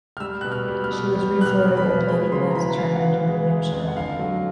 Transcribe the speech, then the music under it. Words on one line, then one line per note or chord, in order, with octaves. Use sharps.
She was refloated and the navy plans to turn her into a museum ship.
F6
G3 E6
B2 F#6
F6
G3
F6
B2
G3
B2 F#6
F6
B2
B5
B2
G#3 B5
C#3 C6
A#5
E3 B5
E3 F5
F#5
E3 F5
G#3
G#3
F2
F#5
D3 F5
F#3